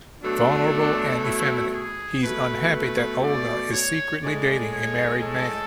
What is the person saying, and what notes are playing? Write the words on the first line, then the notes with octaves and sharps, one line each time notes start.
Vulnerable and effeminate, he's unhappy that Olga is secretly dating a married man.
B2 F#3 A3 D4
E4
G#4
B2 A3 B4
B4
D5
C#5
A2 G#3 D5
C#5
A4